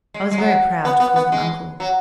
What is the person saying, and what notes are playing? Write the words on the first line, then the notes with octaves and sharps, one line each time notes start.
I was very proud to call him uncle.
G#3
G#3
F#3
B3
B3
B3
G#3
F#3